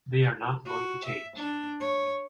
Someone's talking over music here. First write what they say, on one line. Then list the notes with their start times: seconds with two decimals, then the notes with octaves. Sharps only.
They are not going to change.
0.66 F#4
1.05 E5
1.36 D4
1.81 C#5